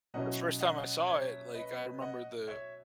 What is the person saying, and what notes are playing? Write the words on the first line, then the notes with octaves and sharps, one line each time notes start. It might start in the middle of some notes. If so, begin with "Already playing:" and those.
the first time I saw it, like, I remember the
B2 F#3 C#4 E4 D#5 F#5
D#5 F#5
C#5 E5
B4 D#5
D#5 F#5
C#5 E5